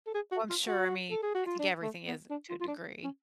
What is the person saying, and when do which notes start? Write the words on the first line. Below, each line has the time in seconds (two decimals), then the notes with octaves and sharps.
Well, I'm sure, I mean, I think everything is to a degree.
0.07 A4
0.14 G#4
0.32 F#4
0.50 F4
0.68 F#4
1.11 A4
1.23 G#4
1.35 F#4
1.46 F4
1.59 D4
1.83 A3
2.07 B3
2.30 D4
2.50 F4
2.61 F4
2.68 D4
3.04 C#4